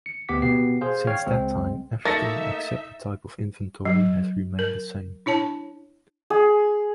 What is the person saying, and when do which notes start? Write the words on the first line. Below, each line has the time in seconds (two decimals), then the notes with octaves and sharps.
Since that time, everything except the type of inventory has remained the same.
0.06 C#7
0.29 D2 B3 G4 F#5 D6 B6
0.42 B2 B3 G4 C7
0.81 G#4 C5 F5
1.07 C#5 F5 G5 F6
1.27 C#2 G#3 C4
2.05 A3 A#3 D#4 E5 A6 A#6 C#7
3.85 F#3
4.59 A#4
5.26 D4 E4 C#5 A5
6.30 G#4